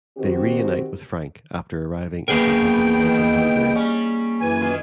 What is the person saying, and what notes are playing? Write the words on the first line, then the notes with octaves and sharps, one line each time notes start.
They reunite with Frank after arriving at their hunting lodge in Hungary.
D#3 C4 F#4 G4
A#3 B3 G#4 A#4 G5
D#3 E3
G3 C#4
F#2 E3 G#5
D#3 F4